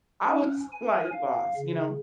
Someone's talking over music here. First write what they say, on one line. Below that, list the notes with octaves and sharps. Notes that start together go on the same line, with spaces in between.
I was, like, lip gloss, you know?
C#4
G#5
F5
C#3